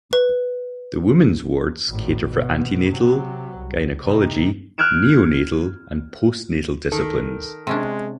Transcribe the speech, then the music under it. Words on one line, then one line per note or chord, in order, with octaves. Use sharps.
The women's wards cater for antenatal, gynaecology, neonatal, and postnatal disciplines.
B4
G#1 A2
B2
C3 F#3
C2
C3 D#4
F6 F#6 G#6 D7 E7
D#3 A4
C3 G#3 C#4 D4